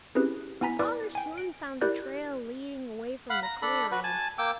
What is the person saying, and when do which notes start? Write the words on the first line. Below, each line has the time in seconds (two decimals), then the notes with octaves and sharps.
My father soon found a trail leading away from the clearing.
0.15 C4 C#4 E4 G4 G#4 B4
0.61 B3 E4 G#5 A#5 B6
0.79 E4 B4 D5 D6
1.15 G5 G#5
1.38 D7
1.81 E4 G4 A#4 D5 F#6 G6
3.30 F5 F#5 B5
3.43 A#5
3.62 D4 A4 B5
3.91 F#4 B4
4.04 G#5 A5
4.38 A#3 G5 D6 E6